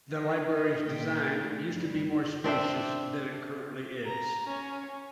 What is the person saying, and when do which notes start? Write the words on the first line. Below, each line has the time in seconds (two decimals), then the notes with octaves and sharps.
The library's design used to be more spacious than it currently is.
0.11 D#3
0.54 D#4 E4
0.85 A#2 G5
1.43 D3 A3
1.73 G2 G3
2.44 C4 D4 C5 E5
4.06 A#5
4.48 C#4